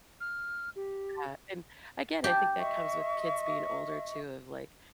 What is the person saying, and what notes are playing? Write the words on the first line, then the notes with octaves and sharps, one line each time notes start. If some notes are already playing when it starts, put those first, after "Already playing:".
Yeah, and, again, I think that comes with kids being older, too, of, like,
F6
G4
G4 A5
D#5 E5 C#6